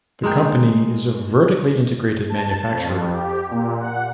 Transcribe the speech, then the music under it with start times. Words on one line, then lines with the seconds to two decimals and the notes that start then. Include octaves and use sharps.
The company is a vertically integrated manufacturer.
0.23 G#3 A#3 G5
2.30 A5
2.71 F2
3.12 G4
3.51 A#2
3.81 F#5